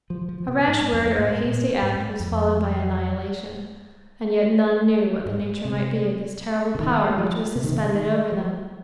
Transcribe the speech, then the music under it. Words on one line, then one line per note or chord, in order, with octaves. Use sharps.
A rash word or a hasty act was followed by annihilation, and yet none knew what the nature might be of this terrible power which was suspended over them.
F3
F3
C3
G#2
F2
G#2
A#2
G#2
F2
G#2
C3
C3
D#3
G#3
F3
C3
D#3
C3
D#3
F3